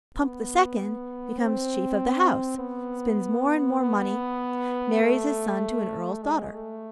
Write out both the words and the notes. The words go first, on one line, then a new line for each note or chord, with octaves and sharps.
Pump the Second becomes chief of the house, spins more and more money, marries his son to an Earl's daughter.
B3
C4
B3
B3
A3
G#3
A3